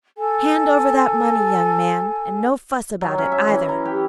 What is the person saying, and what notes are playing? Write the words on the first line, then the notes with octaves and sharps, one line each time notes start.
"Hand over that money, young man, and no fuss about it, either!"
A4 G#5
F#3
C#4
E5
E3
A#5
G4